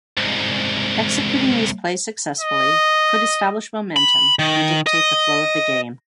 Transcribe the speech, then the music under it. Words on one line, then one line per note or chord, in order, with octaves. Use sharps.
Executing these plays successfully could establish momentum and dictate the flow of the game.
C2 G#2
D#5
B5
D#3
D#5